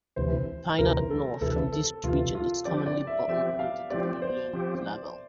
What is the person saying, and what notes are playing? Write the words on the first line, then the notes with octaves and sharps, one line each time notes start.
Pinot noir from this region is commonly bottled under the "Morillon" label.
D2 C3 E3 C5
D2 C3 E3 A#4
A4
D2 C3 E3 A4
A4
D2 C3 E3 F4
F4
F3 C4 G4 D5
D5
E5
F3 C4 G4 E5
F5
F3 C4 G4 D5
C5
F3 C4 G4